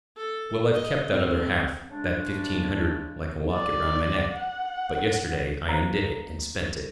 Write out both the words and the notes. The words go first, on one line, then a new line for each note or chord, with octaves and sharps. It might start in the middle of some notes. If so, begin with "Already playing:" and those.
Well, I've kept that other half, that fifteen hundred, like a locket round my neck, but yesterday I undid it, and spent it.
A4
D#5
C4
C#3 G#3 D4
D5
F#5
C5 F5 A#5